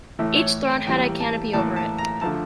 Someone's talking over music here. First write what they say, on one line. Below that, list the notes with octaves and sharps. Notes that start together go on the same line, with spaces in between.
Each throne had a canopy over it.
A2 E3 A3 E4
C#5
G5
A2 E3 G3 A#3 G5
A5
A2 E3 A#3 A5
A5
A#5
D3 F3 A3 A5